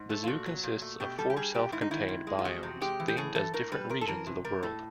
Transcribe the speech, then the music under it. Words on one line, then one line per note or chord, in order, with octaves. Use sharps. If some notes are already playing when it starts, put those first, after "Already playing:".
The zoo consists of four self-contained biomes themed as different regions of the world.
Already playing: G#2
A3
F4
A#2 F#4
F#3
A#2
A3
B2 G4
G3 A4
G4
G3 G#4
B2 G4
G#2 E4
D#4
D#3 E4
G#2
G#3
F4
E2 F#4
C3
G#3 G4
E3
G4
A2 G#4
E3 A4
A2 A#4
G3 B4
C3 A#4
A4
E3 A#4
C3
G3 A#4
A2 A4